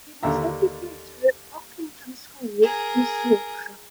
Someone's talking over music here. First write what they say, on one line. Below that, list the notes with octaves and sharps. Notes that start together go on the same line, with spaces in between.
He was educated at Pocklington School, East Yorkshire.
D#2 D3 E5 A#5
G#4 A#4